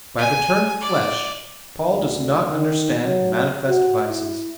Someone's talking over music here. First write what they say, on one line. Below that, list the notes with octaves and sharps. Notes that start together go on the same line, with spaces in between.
By the term "flesh" Paul does not understand manifest vices.
G#5
D5
D2
D#3
F#3
F#4
E4